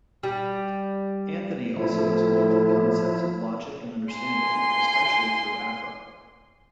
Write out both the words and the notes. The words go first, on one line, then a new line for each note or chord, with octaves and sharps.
Anthony also explores the concepts of logic and understanding, especially through Afra.
G3
A2 F3 E4
G#5 C6